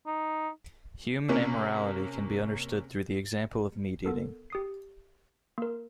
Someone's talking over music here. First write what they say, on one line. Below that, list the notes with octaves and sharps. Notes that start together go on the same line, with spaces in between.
Human amorality can be understood through the example of meat eating.
D#4
C3 A#3 C#4
B3 A4 A#4
G4 D#6 C7
A#3 A#4